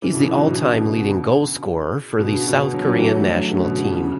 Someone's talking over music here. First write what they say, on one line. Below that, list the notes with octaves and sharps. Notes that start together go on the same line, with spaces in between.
He is the all-time leading goal scorer for the South Korean national team.
C#3 E3
B2 D3
C#3 E3
D3 F#3
B2 D3
B2 D3
C#3
B2 D3
C#3
B2 D3
D3 F#3
D3 F#3
E3 G3
F#3 A3
D3 F#3
D3 F#3
C#3
B2 D3
C#3
C#3